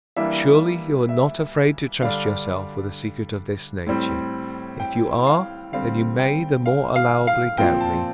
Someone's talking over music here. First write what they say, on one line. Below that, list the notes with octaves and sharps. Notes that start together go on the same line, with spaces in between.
Surely, you are not afraid to trust yourself with a secret of this nature: if you are, then you may the more allowably doubt me.
E3 G3 A#3 D4 E5
E5
D3 G3 D4 F5
A2 G3 C4
G5
F5
D3 G3 C4 F5
G5
F5
F5
F5
A#2 F3 C4 G5
A5